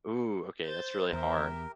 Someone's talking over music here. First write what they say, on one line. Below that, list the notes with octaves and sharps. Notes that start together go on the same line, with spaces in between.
Ooh, okay, that's really hard.
C5 G6 A6
E2 G4 A#4 E5